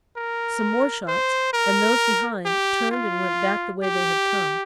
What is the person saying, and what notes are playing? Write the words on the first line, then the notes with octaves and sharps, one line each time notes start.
Some more shots, and those behind turned and went back the way they had come.
A#4
C5
A#4
G4
F4
G4